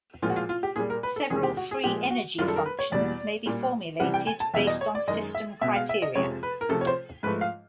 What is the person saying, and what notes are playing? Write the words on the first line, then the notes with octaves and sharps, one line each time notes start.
Several free energy functions may be formulated based on system criteria.
A#2 F3 G#3 F4
F#4
F4
F4
G4
A#2 G3 G#4
A#4
B4
A4
E2 C3 D#3 G#3 G#4
G4
F#4
G#4
A#2 F3 G#3 G4
F#4
F#2 D#3 G3 F4
A4
A#4
B4
C#5
E2 B2 G3 D5
A#2 G3
C3 E3 G3 F#5
G5
G#5
A5
E2 B2 G3 E5
D#5
C#5
D5
F#2 D#3 G#3 D#5
E5
B2 G#3 E5
F5
E5
D#5
F2 C3 F3 G#3 C#5
B4
A#4
C3 F3 A3 A4
C#5
C5
G#2 F3 A3 B4
F5